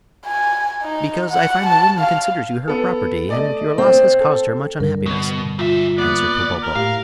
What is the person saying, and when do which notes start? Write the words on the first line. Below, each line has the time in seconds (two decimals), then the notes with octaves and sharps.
"Because I find the woman considers you her property, and your loss has caused her much unhappiness," answered Popopo.
0.26 G#5
0.82 D#4
1.31 F#5
1.66 A5
1.99 F5
2.68 B3 A4
3.29 A3 D5 D#5
3.78 C4
4.21 A4
4.80 G2 D3 A#4
5.06 B2
5.59 A#2 F4 E5
5.98 A#3 B3 D5
6.63 A#4
6.76 A2 G4 F5